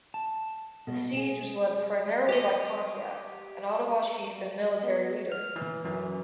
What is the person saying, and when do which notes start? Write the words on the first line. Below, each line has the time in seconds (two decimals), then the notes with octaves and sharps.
The siege was led primarily by Pontiac, an Ottawa chief and military leader.
0.14 A5
0.87 B2
1.17 G#4
2.29 G4 D#5
4.83 B3
5.32 F6
5.56 E3
5.84 F#2 E3